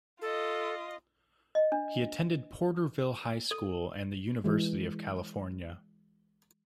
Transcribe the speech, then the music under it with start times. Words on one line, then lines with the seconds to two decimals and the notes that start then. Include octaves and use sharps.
He attended Porterville High School and the University of California.
0.22 F4 A4 D#5
1.55 D#5
1.72 D4
3.51 A4
4.44 E3 G#3